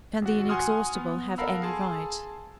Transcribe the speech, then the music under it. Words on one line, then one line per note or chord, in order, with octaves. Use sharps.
Can the inexhaustible have any right?
G#1 F#4
F#5 G#5 C6 D#6 F6
B3
A4 A#4 F5 F#5 B5 E6
G#4 A5 C6